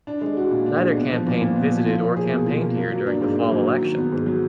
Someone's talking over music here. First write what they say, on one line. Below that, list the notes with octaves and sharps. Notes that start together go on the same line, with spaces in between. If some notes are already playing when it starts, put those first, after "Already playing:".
Neither campaign visited or campaigned here during the fall election.
D4
G#3
F#4
A#2
D4
G#3
B3
F3
A#2
A#2
B3
F3
F4
A#3
G#4
B2
F4
A#3
A#3
F#3
D4
G#2
A#3
F#3
F#3
D#3
B3
G#2
F#3